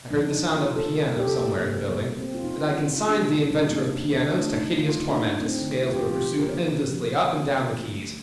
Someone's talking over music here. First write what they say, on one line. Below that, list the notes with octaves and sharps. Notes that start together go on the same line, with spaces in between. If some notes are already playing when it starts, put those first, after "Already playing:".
I heard the sound of a piano, somewhere in the building, and I consigned the inventor of pianos to hideous torment as scales were pursued endlessly up and down the keys.
Already playing: C3
F3 D4
D#4
C3
F4
A#3
C3 A4
G3
C3 G4
A4
A#3 G4
C3 A#3
G3
A#3
C3
C4
A#3
F4
C3 D#4
G3 F4
C3 F4
A#3 D4
C3
D4
G3 D#4
C3 A#3
A#3
D3 D4
A3
A3 D#4
D3 F4
D3 D#4
D4
A3 D#4
A3 C4
D3
C3 F4
G4
F4
F3
G4
C3
A#4
A#3
C3
F3
C3
A#3
D3
A3
A3